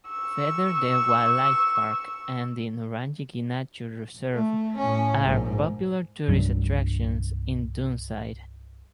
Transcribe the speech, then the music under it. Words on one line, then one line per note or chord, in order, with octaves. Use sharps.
Featherdale Wildlife Park and the Nurragingy Nature Reserve are popular tourist attractions in Doonside.
C#6 E6
A3
A2 C#4
A#1 G#2
C2 G2 F#3 D4